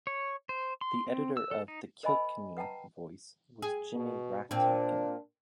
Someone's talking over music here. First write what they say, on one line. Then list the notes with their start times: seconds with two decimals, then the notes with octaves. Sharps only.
The editor of "The Kilkenny Voice" was Jimmy Rhatigan.
0.07 C#5
0.49 C5
0.81 C6
1.07 C4
1.37 E6
1.51 A4
1.68 D#4
2.03 A#4 C5 D#5 G#5 B5
2.57 B4 F#5 G5 A5 A#5
3.62 G#4
3.96 B2
4.51 A#2 C4 D4